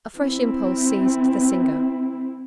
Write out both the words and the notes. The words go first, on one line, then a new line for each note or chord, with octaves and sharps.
A fresh impulse seized the singer.
C4 E4